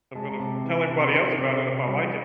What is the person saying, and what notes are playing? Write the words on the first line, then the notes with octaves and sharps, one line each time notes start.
I'm gonna tell everybody else about it if I like it."
G#3 A5
A#5
C3 A5
E3
C3 A5
B5
C3 C6
C3 D6
C3
G3